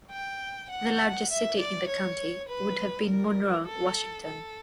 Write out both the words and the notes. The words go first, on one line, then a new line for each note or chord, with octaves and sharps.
The largest city in the county would have been Monroe, Washington.
G5
F#5
E5
D5
C#5
B4
A#4
A4
A4